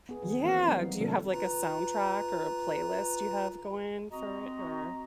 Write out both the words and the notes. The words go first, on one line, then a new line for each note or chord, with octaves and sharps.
Yeah. Do you have, like, a soundtrack or a playlist you have going for it or
B3 G#4
D#3 F3 G#4
E3 A#3 C4 F#4 F5
F#3 G3 B3 C4 D#4
C3 D#3 F#3 D4 A4 A#4
F4 B4 A#5
C4 F#4 D#5 A#5